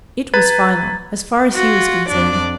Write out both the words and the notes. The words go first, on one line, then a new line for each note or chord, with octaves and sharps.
It was final, as far as he was concerned.
B4 A#5 G#6 A6
F4 F#4
F2 D4 D5